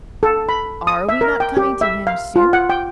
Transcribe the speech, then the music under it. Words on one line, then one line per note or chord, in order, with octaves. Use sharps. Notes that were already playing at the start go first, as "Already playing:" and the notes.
Are we not coming to him soon?
A4
B5
D#6
E5
A#4
G5
G4
E5
F5
F4
F#5
G5